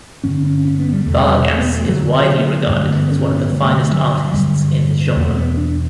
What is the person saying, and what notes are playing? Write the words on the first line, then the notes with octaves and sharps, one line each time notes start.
Vargas is widely regarded as one of the finest artists in his genre.
G2 D3 C#4
C#4
C#4
B3
G3
E2 B2 A3
G3
A3
B3
A3
F#2 D3 F#3
G2 D3 A3
A3
B3
C#4
B3
G2 D3 A3
A3
F#3
G2 D3 G3
E2 B2 A3
B3
D4